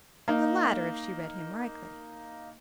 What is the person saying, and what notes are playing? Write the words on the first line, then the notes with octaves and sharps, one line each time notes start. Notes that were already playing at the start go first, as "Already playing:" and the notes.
The latter, if she read him rightly.
A#3 D#4